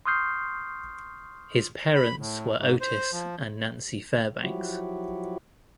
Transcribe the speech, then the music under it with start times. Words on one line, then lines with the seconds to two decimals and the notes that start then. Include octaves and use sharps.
His parents were Otis and Nancy Fairbanks.
0.06 C6 C#6 D#6 F6 G6 C7
1.95 B5
2.19 A2
2.59 G#2
2.81 C5
3.12 F3
4.43 F3 F#3 E4 F#4 G4